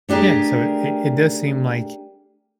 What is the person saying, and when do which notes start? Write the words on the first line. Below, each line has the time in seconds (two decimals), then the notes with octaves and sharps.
Yeah, so it it does seem like,
0.09 A3 D4 G4 G#4 A#4